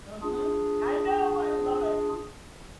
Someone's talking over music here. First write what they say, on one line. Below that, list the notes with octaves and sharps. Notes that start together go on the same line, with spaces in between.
Uh-huh. I know, I love it.
D4 F4 G#4